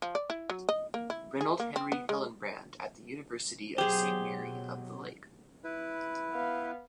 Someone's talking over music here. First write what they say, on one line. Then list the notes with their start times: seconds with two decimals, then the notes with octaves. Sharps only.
Reynold Henry Hillenbrand at the University of Saint Mary of the Lake.
0.02 F3
0.15 D5
0.30 E4
0.50 F#3
0.69 D#5
0.94 A#3
1.10 E4
1.41 G#4
1.60 A#3
1.76 C4
1.92 B3
2.09 G#3
3.78 B2 F#3 G4 G#4 C5
5.64 E4 B4
6.32 B3 F5